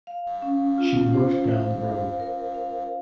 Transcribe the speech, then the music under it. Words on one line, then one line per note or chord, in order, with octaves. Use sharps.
She looked down the road.
F5
C#4
F4
C5
F5
F5
A#4
F5